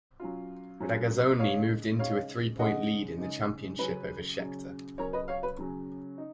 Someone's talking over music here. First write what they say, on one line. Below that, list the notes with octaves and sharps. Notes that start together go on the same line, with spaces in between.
Regazzoni moved into a three-point lead in the championship over Scheckter.
F#3 C#4 F4
F#3 C#4 F4
C#3 G#3 D#4 C#5 F5
C#3 G#3 D#4 C#5 F5
C#3 G#3 D#4 D#5 F#5
C#3 G#3 D#4
C#3 F#3 C#4 B4
C#3 F#3 C#4
C#3 F#3 C#4 A#4 C#5
B4 D#5
C#5 F5
B4
C#3 F#3 C#4
D#4